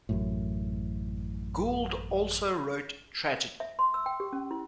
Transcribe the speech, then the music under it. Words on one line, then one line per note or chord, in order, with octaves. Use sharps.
Gould also wrote tragedy.
A1 F#2 A2
E5
C6
E6
G5
G4
C#4
E4